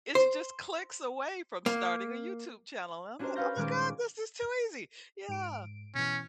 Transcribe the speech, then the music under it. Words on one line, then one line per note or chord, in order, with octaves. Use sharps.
it's just clicks away from starting a YouTube channel. And I'm like, "Oh my God, this is too easy." Yeah.
C5
A#3
C#4 D4 F#4 G4 A#4 C5
B4 C#5 F5 G6 A#6
A#2 D#3 G#3 C#4 D6
G#2 D7
B2 E3 C#4